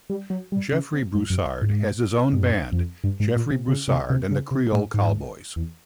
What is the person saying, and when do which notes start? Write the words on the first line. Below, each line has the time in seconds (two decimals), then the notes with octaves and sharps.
Jeffery Broussard has his own band, Jeffery Broussard and The Creole Cowboys.
0.10 G3
0.30 F#3
0.52 G3
0.72 C#3
0.94 C3
1.15 G2
1.30 F#2
1.62 G#2
2.33 G2
2.41 F#2
2.72 F2
3.04 G2
3.20 G#2
3.36 A#2
3.51 C3
3.68 C#3
3.88 C3
4.10 C3
4.31 C#3
4.51 C3
4.72 A2
4.94 G#2
5.56 E2